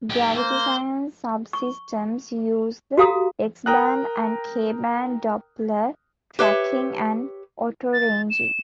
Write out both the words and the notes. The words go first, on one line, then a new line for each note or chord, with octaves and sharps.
Gravity science subsystems use the X-band and K-band Doppler tracking and autoranging.
G#2 G4
A#3 C5
C#6
F#4 G4 A4 F5 A#5 D#6
A#4 G5 A#5 D#6 F#6
G4 B4 C#5 E5
A6
E7